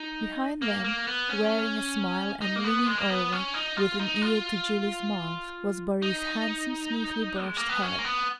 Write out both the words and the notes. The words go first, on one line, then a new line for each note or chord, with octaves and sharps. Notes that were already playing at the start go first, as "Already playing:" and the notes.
Behind them, wearing a smile and leaning over with an ear to Julie's mouth, was Boris' handsome smoothly brushed head.
Already playing: D#4
A#3
A#3
B3
C#4
D#4
A#3
B3
G#3
A#3
B3
C#4
D#4
F4
D#4
F4
D#4
G#3
A#3
B3
C#4
A#3
B3